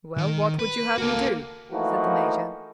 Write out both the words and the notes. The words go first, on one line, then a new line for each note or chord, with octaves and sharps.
"Well, what would you have me do?" said the major.
D#3
B4
A#3 F#4 A4
E3 F3 A3 A#3 D#4 F#4